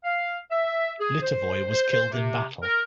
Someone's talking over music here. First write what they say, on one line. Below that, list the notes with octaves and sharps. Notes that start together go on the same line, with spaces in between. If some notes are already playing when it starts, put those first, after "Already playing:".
Litovoi was killed in battle.
F5
E5
G#4
C5
C5
C5
C3
A#4